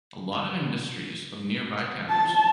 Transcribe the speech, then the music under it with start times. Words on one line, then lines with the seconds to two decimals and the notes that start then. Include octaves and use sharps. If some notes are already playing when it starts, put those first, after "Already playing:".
A lot of industries of nearby towns.
2.09 A5